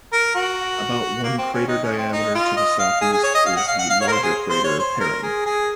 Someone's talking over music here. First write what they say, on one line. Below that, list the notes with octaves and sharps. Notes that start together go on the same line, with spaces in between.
About one crater diameter to the southeast is the larger crater Perrine.
A#4
F#4
A#3
C4
C#4
D#4
C#4
C4
D#4
F4
D#5
F5
G#4
G#4
C#5
D#5
F5
F#5
F5
F#5
F5
C#5
A#4
C5
G#4
C5
C#5
C5
A#4
G#4
G#4